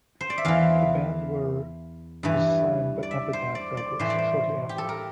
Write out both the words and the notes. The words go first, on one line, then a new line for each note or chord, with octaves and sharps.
The band were was signed by Epitaph Records shortly after.
C5
D5
E5
E2 E3 F5
G2 E3
D5
E5
C5
D5
D5
A2 E3 C5
D5
C5
G4
A4
A#4